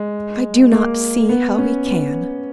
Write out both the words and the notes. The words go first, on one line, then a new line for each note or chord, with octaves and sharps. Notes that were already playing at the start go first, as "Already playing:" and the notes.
I do not see how he can.
Already playing: G#3
A#3
B3
C#4
B3